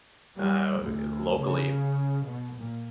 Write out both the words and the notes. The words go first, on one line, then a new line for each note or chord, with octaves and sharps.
uh, eh, locally.
G3
D2
C#3
B2
A#2